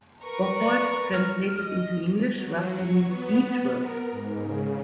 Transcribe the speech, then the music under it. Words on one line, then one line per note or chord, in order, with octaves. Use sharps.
Bocholt translated into English roughly means "beechwood".
A#4 B4 C#6
D5
F6
D#5
F#3
C#6
B3
B3
A#4
G#2
C#3